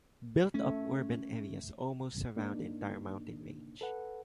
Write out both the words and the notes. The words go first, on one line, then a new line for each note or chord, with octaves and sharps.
Built up urban areas almost surround the entire mountain range.
A3 C#4
G#2 A#3 D4 D#4
A4 B4 F#5